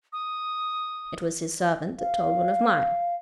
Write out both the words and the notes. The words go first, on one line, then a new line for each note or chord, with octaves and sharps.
It was his servant that told one of mine.
D#6
F5